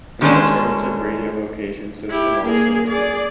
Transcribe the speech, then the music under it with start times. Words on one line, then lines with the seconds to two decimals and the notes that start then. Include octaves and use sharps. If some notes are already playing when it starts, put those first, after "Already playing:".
An alternative radio location system also exists.
0.21 D3 D#3 G3 G#3 C#4 D4
2.10 E4 G4
2.44 A#3 G#4
2.88 G#4 D5